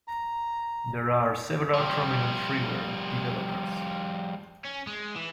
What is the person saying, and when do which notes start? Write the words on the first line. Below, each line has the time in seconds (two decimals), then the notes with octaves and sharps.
There are several prominent freeware developers.
0.08 A#5
1.74 F3 G3
4.65 C#4
4.87 G#3
5.16 E3